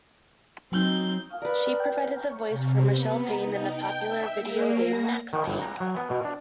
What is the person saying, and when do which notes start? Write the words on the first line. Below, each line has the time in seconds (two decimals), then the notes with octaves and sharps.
She provided the voice for Michelle Payne in the popular video game "Max Payne".
0.72 F#3 C4 D#4 G6
1.42 A#4 B4 D5
2.49 C3
2.90 B3
3.34 D#4
3.69 G5
4.07 E5
4.36 A#3
4.83 A#6
5.33 D#3
5.48 G1
5.62 A#5
5.80 F#3
5.97 B3
6.10 B2
6.25 D4